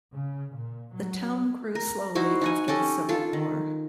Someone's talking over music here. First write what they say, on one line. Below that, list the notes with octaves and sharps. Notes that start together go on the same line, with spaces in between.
The town grew slowly after the Civil War.
C#3
A#2
F#3
A#4
D#4 E4 F#4 C5
D#4 F#5 G#5
C#4 G4 A4 D#5
F4 A4
D#3